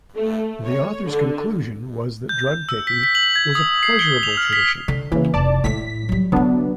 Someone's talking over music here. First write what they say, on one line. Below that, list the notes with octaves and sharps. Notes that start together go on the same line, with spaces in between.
The authors' conclusion was that drug-taking was a pleasurable tradition.
A3
C#5
D3
G6
E6
B6
B6
F#7
G#6
D#6
C7
G7
F7
F6
B6
D3
C#3 E3 A#3
F1 D5 A5 D6
A2 A3 E4 B6
F#3 G3
D3 F#3 A3 B3 D4